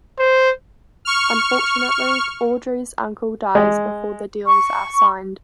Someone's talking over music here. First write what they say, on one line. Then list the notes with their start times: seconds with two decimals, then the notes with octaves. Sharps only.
Unfortunately, Audrey's uncle dies before the deals are signed.
0.19 C5
1.05 C#6 F6
3.55 G#3
4.48 C#6